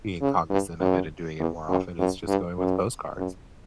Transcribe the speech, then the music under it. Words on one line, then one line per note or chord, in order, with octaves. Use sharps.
being cognizant of it and doing it more often is just going with postcards.
C#3
G2
F#2
E2
F#2
F#2
G2
F#2
F#2